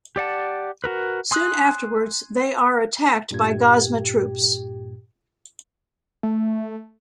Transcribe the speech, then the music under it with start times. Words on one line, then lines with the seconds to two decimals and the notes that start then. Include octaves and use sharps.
Soon afterwards, they are attacked by Gozma troops.
0.16 G4 D5 F#5 A5
0.84 F#4 A#4 B4
1.31 G#5 C6 D#6 E6 F#6
3.31 G2 A#2 G4 G#6
6.23 A3